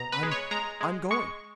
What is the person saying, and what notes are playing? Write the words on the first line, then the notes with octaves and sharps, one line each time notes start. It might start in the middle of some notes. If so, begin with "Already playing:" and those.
I'm--I'm going!
Already playing: B2 A#5
B4
G#3
C#5
G#3 A#5
G#3
G#3 C#6